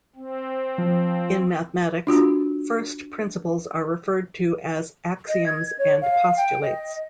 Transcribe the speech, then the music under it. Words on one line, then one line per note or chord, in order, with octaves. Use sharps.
In mathematics, first principles are referred to as axioms and postulates.
C4
F3
D4 F4 F#4
D#5
G#6
C#5
F5
G5
D#5